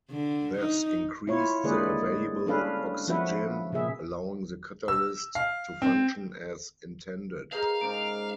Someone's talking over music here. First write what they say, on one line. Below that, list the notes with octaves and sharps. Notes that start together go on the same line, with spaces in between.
This increased the available oxygen, allowing the catalyst to function as intended.
D3
D#4
E4 F4 C#5
D3 G#3 A#3 G#4 B4 D5
G3 C#4 D4 A4 B4 F5
F3 B3 F#4 B4 E5 F#5
A#2 C#3 A#3 G#4 E5
E6
F5
C4
D#4 G#4 A#4 B4 F5 A#5
G#2 C#3 A#5 D6 D7